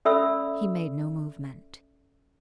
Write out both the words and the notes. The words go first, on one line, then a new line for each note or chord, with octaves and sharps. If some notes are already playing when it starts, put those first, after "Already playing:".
He made no movement.
C#4 A4 D5 E5 B5 E6